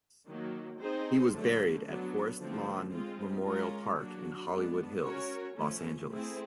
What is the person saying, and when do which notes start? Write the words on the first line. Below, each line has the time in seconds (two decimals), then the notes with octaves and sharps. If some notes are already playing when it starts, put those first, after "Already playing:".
He was buried at Forest Lawn Memorial Park, in Hollywood Hills, Los Angeles.
0.27 D#3 F#3 A#3
0.80 C4 D#4 G#4 C5
1.33 D3 F#3 A3 C#4
1.85 F#3 B3 D4
2.38 D3 F3 A3 C4
2.91 G#3 C4 F4
3.45 G#3 C#4 F4 A#4
3.97 F#3 A#3 D4 F#4
4.50 G#3 B3 D4
5.03 C#4 F#4 A#4 C#5
5.55 F3 A3 C#4
6.09 A3 C4 E4 G#4